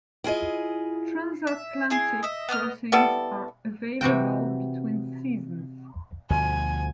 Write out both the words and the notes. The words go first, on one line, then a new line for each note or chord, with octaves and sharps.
Transatlantic crossings are available between seasons.
E4 F4 G#4 D#5
E5
E4 G#4 G#5 C6
D#5 E5
B3 D#5 D6 F6
G3 B3 E4 A4
C3 E3 F#4 G5
D2 B2 F3 G#5